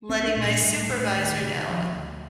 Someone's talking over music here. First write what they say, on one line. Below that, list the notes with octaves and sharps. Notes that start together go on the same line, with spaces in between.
letting my supervisor know,
C2 C4
D4
A#2
G3
A2 G3
A2
D2 D#3
C3
D3
D#3
D2 F3
D2